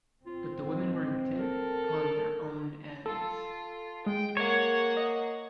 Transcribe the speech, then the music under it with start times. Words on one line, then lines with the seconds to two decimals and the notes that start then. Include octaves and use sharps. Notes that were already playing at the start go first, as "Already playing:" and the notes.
But the women were intent upon their own ends.
0.26 C4 F4
0.66 G#3
1.38 A4 A#4
3.06 F4 A4
4.06 G#3 G5
4.37 A#3 C#5 F#5
4.97 D#5